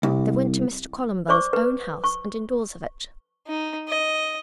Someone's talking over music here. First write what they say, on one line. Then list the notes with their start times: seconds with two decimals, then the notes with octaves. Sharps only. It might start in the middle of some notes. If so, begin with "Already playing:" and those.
They went to Mr. Columbell's own house, and indoors of it.
0.03 C2
1.28 C5 D5 C#6 D6
1.53 B4
2.04 C#6
3.48 D#4
3.88 D#5